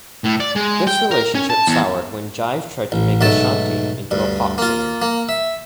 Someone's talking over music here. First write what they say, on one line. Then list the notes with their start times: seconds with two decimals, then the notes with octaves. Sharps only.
This relationship soured when Jive tried to make Ashanti into a pop singer.
0.24 A2
0.40 D5
0.56 G#3
0.87 G5
1.11 A#4
1.35 C#4
1.50 A5
1.67 E2
2.92 A1
3.21 B1 G#2 A3 A5
4.11 D2 G2
4.58 A#3 F4
5.02 A#3
5.29 E5